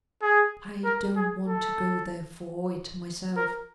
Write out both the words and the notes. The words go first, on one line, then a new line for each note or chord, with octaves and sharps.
I don't want to go there for it myself.
G#4
A#4
G#4
A4
A#4